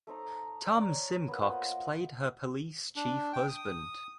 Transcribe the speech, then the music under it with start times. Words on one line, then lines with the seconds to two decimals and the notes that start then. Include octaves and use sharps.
Tom Simcox played her police chief husband.
0.07 A3 D#4 C5 A#5
0.66 D5 A#5
0.87 C#5
1.28 A#3 B3
1.41 F4 C5 D#5 F#5
2.96 D4
3.33 G5
3.49 D#6